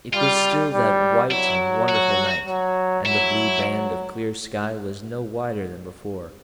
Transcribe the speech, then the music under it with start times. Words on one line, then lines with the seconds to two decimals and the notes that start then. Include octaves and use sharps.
It was still that white and wonderful night, and the blue band of clear sky was no wider than before.
0.13 G3 F4
0.72 G3
1.30 F#3 E4
1.88 F#4
2.47 F#3
3.06 F#3 E4